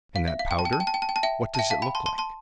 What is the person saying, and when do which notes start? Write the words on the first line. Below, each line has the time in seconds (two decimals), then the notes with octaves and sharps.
"And that powder, what did it look like?"
0.16 F5
0.28 E5
0.39 F5
0.51 G5
0.59 A5
0.65 G5
0.73 A5
0.80 G5
0.87 A5
0.94 G5
1.02 A5
1.09 G5
1.16 A5
1.23 E5 G5
1.55 A5
1.59 E5 G5
1.70 F5 A5
1.82 G5 B5
1.95 A5 C6
2.06 A5 C6
2.18 A5 C6